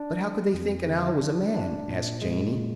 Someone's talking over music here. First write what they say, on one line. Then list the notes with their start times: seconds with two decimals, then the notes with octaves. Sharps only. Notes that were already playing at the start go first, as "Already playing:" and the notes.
"But how could they think an owl was a man?" asked Janey.
Already playing: D4
0.19 G3
0.54 F2
0.87 D3
1.21 D4
1.54 D4
1.88 A#2
2.22 G#3
2.55 A#2